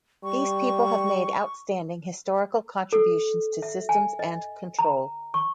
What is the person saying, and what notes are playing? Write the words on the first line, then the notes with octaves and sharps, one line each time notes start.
These people have made outstanding historical contributions to systems and control.
G3 C#6
A4
E5
G#5
D#5
A#5
C#6